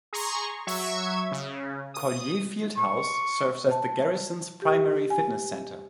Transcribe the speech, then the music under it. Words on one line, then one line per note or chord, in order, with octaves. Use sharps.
Collier Field House serves as the garrison's primary fitness center.
G#4 A#5 C6 C#6
F#3 E5 C#6 G#6
C#3
D#6
C#6
A5
G4
G#5